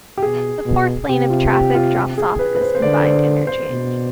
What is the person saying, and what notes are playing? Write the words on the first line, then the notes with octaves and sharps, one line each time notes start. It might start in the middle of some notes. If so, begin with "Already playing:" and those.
The fourth lane of traffic drops off at this combined interchange.
G4
B2 G#4
B2
C3 G4
F4
G4
F4
G4
G#4
B4
B4
C5
C5
D3 D5
C5
C5
B2